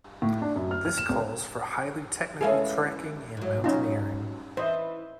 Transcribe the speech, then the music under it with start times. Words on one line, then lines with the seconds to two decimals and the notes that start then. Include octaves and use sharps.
This calls for highly technical trekking and mountaineering.
0.22 A2
0.42 D4
0.56 F#2
0.71 F6
0.85 F6
0.98 E7
1.09 C#2
2.41 E3 G#3 C#4 G#4 A4 F5
3.37 G#2 F#3
3.64 F#3 C#4 D#4 F4
4.57 E3 C5 D#5